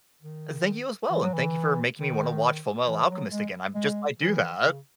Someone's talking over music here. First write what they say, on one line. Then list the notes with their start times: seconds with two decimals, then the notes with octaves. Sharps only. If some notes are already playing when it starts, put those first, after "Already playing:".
Thank you as well and thank you for making me wanna watch Fullmetal Alchemist again, I just might do that.
0.22 D#3
1.10 E3
1.22 F#3
1.34 E3
1.99 D#3
2.86 E3
3.09 F#3
3.30 G#3
3.75 G#3
4.19 E3
4.63 C#3